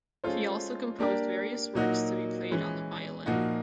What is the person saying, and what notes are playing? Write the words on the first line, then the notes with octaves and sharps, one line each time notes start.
He also composed various works to be played on the violin.
G#3 C#4 F4 A4 C5
A#3 D4 G4 A#4 D5
A#2 F#3 A#3 D#4 F#4
E3 G#3 C#4
A#2 F3 A#3 D#4 F#4